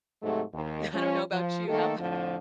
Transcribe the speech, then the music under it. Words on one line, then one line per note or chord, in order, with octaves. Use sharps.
I don't know about you, how about
G#2 C3 F#3 A3
D#2
F3 C#4
F3
D#3 A3 A#3 A4
F2 A2 D3 F3